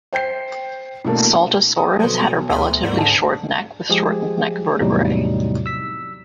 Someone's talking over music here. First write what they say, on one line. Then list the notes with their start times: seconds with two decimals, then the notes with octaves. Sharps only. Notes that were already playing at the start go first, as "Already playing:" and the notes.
"Saltasaurus" had a relatively short neck with shortened neck vertebrae.
0.13 C5 G5 G6 C7
1.05 B2 E3 A3 A#3 D4
1.77 D#6
2.00 B2 D3 F3 F#3 B3
2.21 B1
2.50 D2 C5 D#5 B5
2.83 F2 G#2 A#3 B3 D4
2.98 D3 G#4 A5
3.89 F3 G#3 G4 G#4
4.80 E2 A2 C3 F#3 G3 D#4
5.66 E6 B6